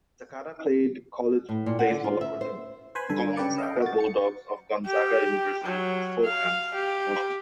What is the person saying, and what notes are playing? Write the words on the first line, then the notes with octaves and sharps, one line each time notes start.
Sakata played college baseball for the Gonzaga Bulldogs of Gonzaga University in Spokane, Washington.
A2
A#2
F#5
D3
F4
E5
C5
B4 C5 G#5 B5
G2 D3 A4 G#5
C#3 G4 B4 D5 C#7
D#5 F5 G5
F#4 A6
C#7
G4
F#3
F5
G4